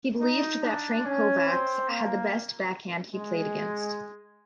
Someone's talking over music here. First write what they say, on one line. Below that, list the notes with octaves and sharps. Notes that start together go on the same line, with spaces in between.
He believed that Frank Kovacs had the best backhand he played against.
D#4
D4
C#4
C4
A#3
G#3